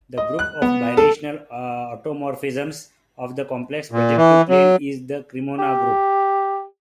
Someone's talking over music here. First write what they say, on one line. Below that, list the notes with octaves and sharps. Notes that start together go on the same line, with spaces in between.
The group of birational automorphisms of the complex projective plane is the Cremona group.
D#5
F#6
B3
A4
A#2
E3
F#3
G4